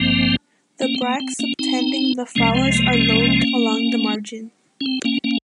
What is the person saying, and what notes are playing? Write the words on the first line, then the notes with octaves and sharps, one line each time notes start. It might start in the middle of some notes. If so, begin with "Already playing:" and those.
The bracts subtending the flowers are lobed along the margin.
Already playing: G#1 G2 F3 A#3 C4
A#3 C#4
C4
A#3
C4
A#3 C#4
C4 D#4
C2 C3 F3 G#3 A#3 C#4
C4
A#3
A#3 C#4
C#4
C4
A#3 C#4
A#3 C#4